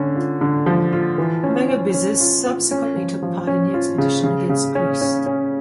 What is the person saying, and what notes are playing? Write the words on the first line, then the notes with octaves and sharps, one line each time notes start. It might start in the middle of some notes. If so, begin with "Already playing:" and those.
Megabyzus subsequently took part in the expedition against Greece.
Already playing: D3 C#4
F4
D3
F3
F4
E3
C#4
C#4
C#4
F4
F4
C#4
F3
F3
C#4
F4
C#3
C#3
C#3
C#4
C#4
C#4